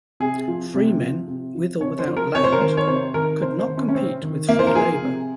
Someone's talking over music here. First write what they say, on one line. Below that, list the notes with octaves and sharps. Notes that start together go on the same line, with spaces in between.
Freemen with or without land could not compete with free labor.
C3 G#4
F3
C3
F3
C3
F3
C3 C#5
C5
F3
A#4
C3 C#5
C5
A#4
D#3 C5
C#5
C3 C5
D#3 A#4
C3 C5
C5
D#3
C#4
C#4
C3 C4
D#3
C3 A#3
C5
A#4
F3 G#4
C3